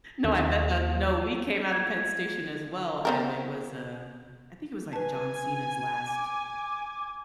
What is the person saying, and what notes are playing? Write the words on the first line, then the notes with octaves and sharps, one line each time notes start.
No, I bet that no, we came out of Penn Station, as well, and it was, um I think it was, like, John Cena's last
D#2
G#6
B3 C4 A#4
B4 G#5 A5
D6